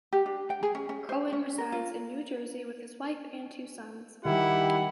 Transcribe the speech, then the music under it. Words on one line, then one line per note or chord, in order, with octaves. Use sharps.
Cohen resides in New Jersey with his wife and two sons.
G4
D4
G5
G#4
C#4
C#4
C5
C#4
A#4
F4
D#3 G3 E4 G4 F#5